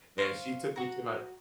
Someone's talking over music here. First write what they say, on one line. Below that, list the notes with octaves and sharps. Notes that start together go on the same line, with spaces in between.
and she took me to my
C5 F5 C#6
F#4 A#5